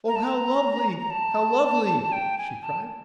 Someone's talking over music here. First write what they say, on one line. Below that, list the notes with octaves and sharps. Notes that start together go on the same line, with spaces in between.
"Oh, how lovely! how lovely!" she cried.
A#5
A5
A#5
A#5
A5
G5
G#5
A5